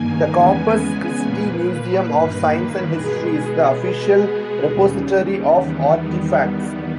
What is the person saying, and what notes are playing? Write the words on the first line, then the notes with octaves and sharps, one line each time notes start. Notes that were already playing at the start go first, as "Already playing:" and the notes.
The Corpus Christi Museum of Science and History is the official repository of artifacts.
Already playing: G2 D#3 A#3 G#5
E2 C#3 G#3 B3
A#2 A#3 B4
G2 D#3 A#3
B2 G#3 B3 G#4
B2 G#3 B3
D#2 C#3 G3
E2 D#3 G3 B3